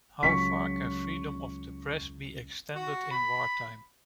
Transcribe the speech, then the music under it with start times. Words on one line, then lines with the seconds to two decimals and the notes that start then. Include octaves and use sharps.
How far can freedom of the press be extended in wartime?
0.23 C#2 C#3 F#3 C#6 B6
2.75 F#4
3.11 B5